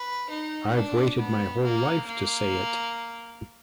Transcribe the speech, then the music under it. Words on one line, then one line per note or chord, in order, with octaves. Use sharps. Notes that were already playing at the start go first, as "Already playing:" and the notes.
I've waited my whole life to say it!
Already playing: B4
D#4
D4
B3
A#3
A#3